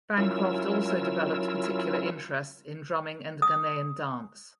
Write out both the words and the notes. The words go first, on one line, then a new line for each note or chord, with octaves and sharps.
Bancroft also developed particular interests in drumming and Ghanaian dance.
F#3 C#4 E4 F4 A#4 E6
D#6